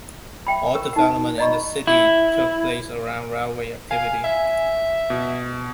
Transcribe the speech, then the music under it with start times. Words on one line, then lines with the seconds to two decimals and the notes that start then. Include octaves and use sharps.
All development in the city took place around railway activity.
0.47 E5 G5 B5
0.75 A#4 C#6
0.93 D#4 F#5
1.38 D5 D#5 A#5 B5 C#6
1.87 E4
3.91 F5 G#5
4.24 E5
5.10 B2